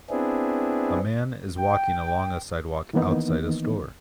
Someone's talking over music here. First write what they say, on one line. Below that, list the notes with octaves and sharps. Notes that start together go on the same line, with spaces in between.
A man is walking along a sidewalk outside a store.
B3 C4 D4 E4 G#4
G5
D#3 E3 A#3 B3 D#4